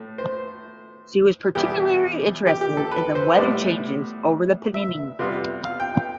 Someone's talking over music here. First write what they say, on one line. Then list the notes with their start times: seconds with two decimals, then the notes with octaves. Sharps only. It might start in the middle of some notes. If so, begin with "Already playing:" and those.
She was particularly interested in the weather changes over the Pennines.
Already playing: A2 A3
0.18 C5
1.55 E2 B2 G3 B3 E4 G4
2.47 G4
2.61 G4
2.77 A4
2.91 B4
3.15 C5
3.37 A2 G3 B3 E4 D5
4.74 E5
5.19 C3 G3 B3 F4
5.65 F5
5.80 G5
5.95 G5